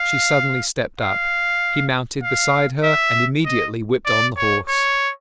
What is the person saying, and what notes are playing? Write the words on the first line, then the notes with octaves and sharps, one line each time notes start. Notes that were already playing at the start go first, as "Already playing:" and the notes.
She suddenly stepped up; he mounted beside her, and immediately whipped on the horse.
Already playing: F5
F5
F5
E5
D#5
D5
C#5
C#5